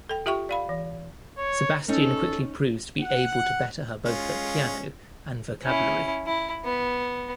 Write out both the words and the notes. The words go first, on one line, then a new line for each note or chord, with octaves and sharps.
Sebastian quickly proves to be able to better her both at piano and vocabulary.
A4 G5
F4 G4 E5 G5 C#6
D5 F5 B5
E3
C#5
C#4 D#4 A4 C#5
F#5
G#3 C#4 F4
C#4 E4
E4
B3